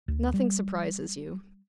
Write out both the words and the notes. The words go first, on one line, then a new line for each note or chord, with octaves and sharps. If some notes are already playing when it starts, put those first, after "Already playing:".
Nothing surprises you.
D2
G3